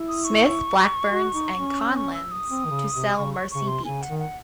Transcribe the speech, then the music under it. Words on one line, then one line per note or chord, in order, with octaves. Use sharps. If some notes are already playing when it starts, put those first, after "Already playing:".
Smith, Blackburn's, and Conlan's, to sell "Mersey Beat".
Already playing: E4
D#6
C#6
F#4
D#4
C#4
E6
C#6
E6
D#6
C4
D#3
C#3
C3
C#3 C#6
C#6
C#3 C#6
C3
C6
C#3 G#5
F#5
D#3
F#5